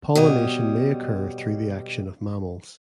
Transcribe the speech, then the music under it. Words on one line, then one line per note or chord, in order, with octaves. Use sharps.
Pollination may occur through the action of mammals.
B2 G3 C#5 D#5